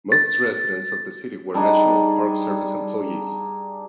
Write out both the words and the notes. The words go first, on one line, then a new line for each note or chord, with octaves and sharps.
Most residents of the city were National Park Service employees.
A6
G3 D4 D#4 G#4